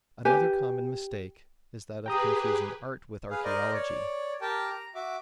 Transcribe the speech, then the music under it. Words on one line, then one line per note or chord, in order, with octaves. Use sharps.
Another common mistake is that of confusing art with archaeology.
G4 B4 G#5
G4 G#4 B4 G5 A#5 D#6
G#4 B4 F5
A#4 C5 D5 D#5
C#5 D5
G4 A#4 G5 A5
A#5
F#4 E5 D6